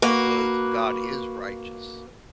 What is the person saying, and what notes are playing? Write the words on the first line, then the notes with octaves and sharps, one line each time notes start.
because God is righteous.
A#3 F#4 B4